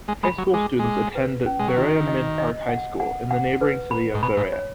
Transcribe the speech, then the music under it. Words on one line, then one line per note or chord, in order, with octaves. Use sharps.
High school students attend Berea-Midpark High School, in the neighboring city of Berea.
G#3
G#3 B5
F#3
G#3 G#4
G#3 G#4
B4
C#4
G#3
F#3
D#3 F#4
D#5
D#5
F#5
F#5
F#5
B4
B5
G#2
B2 B5
G#2
C#5